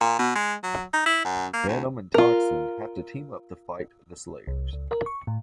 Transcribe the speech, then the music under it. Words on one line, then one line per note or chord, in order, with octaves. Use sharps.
Venom and Toxin have to team up to fight the "slayers".
A#2
B2
G#3
F#3
D#4
E4
F#2
A#3
D2
F4 A#4
C2
C#2
A#4
C#6
A2